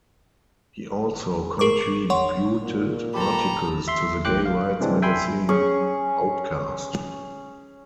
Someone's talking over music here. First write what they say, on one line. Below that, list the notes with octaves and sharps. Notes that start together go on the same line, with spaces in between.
He also contributed articles to the gay rights magazine "Outcast".
G#4 A#4 C#6 D6
C#5 F#5 C6 C#6
A#2
G4 A4 A#5 B5
E5 C6
A1 A2 G5 D6 F#6
F5
C3 E3 G#3 C4 D4
E5 G5 G#5 B5 C6
C#4 G#4 C#6